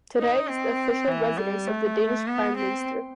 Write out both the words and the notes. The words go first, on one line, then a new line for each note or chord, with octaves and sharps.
Today it is the official residence of the Danish Prime Minister.
D#4
C4
E3
G3
A3
B3
C4